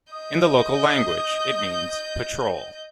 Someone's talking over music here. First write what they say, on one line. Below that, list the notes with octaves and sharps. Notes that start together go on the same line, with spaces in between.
In the local language it means "patrol".
D#5 D#6 G6